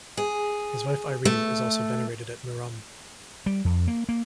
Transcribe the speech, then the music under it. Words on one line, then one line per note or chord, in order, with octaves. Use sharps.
His wife Irene is also venerated at Murom.
G#4
A3
G3
F2
A#3
A#3